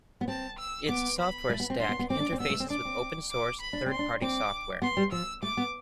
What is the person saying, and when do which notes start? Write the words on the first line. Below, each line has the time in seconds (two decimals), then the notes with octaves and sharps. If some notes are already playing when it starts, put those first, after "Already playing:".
Its software stack interfaces with open source third-party software.
0.21 B3
0.28 C4 A5
0.59 E6
0.88 B3 D6
1.19 B5
1.50 A3
1.60 B3
1.70 C4
1.80 D4 C6
1.89 B3
1.99 B3
2.10 C4 D6
2.20 D4
2.32 C4
2.40 B3 E6
2.50 A3
2.60 C4
2.70 D4 D6
2.85 C4
3.31 D6
3.61 B5
3.73 D4
3.86 C4
3.91 C6
3.99 D4
4.21 C4 D6
4.82 B3 C6
4.97 G3
5.12 F3 E6
5.43 A3 D6
5.57 B3